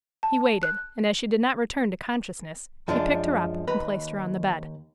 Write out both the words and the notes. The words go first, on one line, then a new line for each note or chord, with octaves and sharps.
He waited, and as she did not return to consciousness, he picked her up, and placed her on the bed.
A5
F#6
F#2 F3 G#3 D4
D#2 B4 A#5